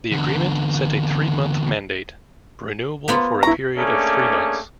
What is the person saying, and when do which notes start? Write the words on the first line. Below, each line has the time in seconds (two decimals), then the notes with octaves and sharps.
The agreement set a three-month mandate, renewable for a period of three months.
0.11 E2 D3
3.08 A#3 B3 F4
3.43 E4 A#5 C#6
3.77 A3 A#3 C#4 D4 G#4